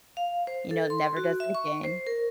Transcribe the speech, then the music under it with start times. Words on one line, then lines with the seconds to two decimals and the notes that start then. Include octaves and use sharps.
you know, never does it again.
0.17 F5
0.47 C5
0.71 A4
0.90 C6
1.17 F#4
1.40 E5
1.55 C#6
1.84 C5
2.07 A#4